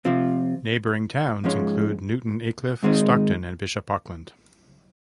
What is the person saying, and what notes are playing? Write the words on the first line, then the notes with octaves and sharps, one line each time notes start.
Neighbouring towns include Newton Aycliffe, Stockton and Bishop Auckland.
C3 F3 C4 F4
G#2 F3 G#3 C#4
G#2 D#3 G#3 C4 D#4